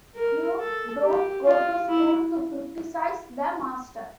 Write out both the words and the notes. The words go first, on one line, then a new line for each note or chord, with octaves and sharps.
You don’t go to school to criticize the master.
A#4
A4
G4
F4
E4